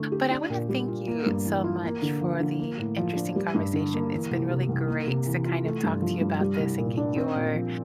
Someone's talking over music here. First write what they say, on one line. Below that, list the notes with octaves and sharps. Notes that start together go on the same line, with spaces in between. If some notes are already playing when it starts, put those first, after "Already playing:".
But I wanna thank you so much for the interesting conversation, it’s been really great to kind of talk to you about this and get your
Already playing: D3 A3 E4
G4
D4
A#2
G3
F4
A#3
G2
E3
F4
A#3
D3
F3
D3
A#3
A2
F3
D4
G3
G2
D3
A#3
E3
C2
C3
C2
A#3
C3
E3
F4
A3
G2
F3
G2
G3
C2
A#2
D4
C4
A#2
F3